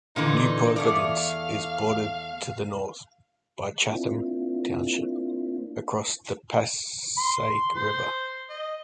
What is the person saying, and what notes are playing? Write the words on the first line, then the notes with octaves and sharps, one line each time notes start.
New Providence is bordered to the north by Chatham Township, across the Passaic River.
A#2 D3 E3 D#4
E2 A3 D5 F5
A#3 C4 D4 E4 F4
C6
C5
D#5